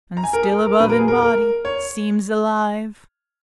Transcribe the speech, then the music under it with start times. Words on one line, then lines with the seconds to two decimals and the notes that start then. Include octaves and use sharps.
And still above in body seems alive!
0.17 A#5
0.24 G#5
0.33 A#4
0.42 G#4
0.52 A#4
0.66 A#4
0.80 A#2 F#3 A#3 B4
0.89 A#4
0.99 G#4
1.08 A#4
1.22 A#4
1.65 C#5